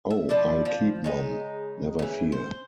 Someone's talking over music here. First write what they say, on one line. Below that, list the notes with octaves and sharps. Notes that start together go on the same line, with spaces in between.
Oh, I'll keep mum, never fear.
E5
F3 D4 E4 D5
F3
C#3 G#3 D#4
C#3 E3
C5